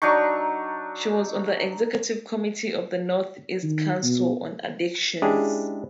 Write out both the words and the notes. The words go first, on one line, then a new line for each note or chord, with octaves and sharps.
She was on the executive committee of the North East Council on Addictions.
F#3 D4 D#4 C#6
D#3
B2
G#3 C#4 D4 E4 G4 G#4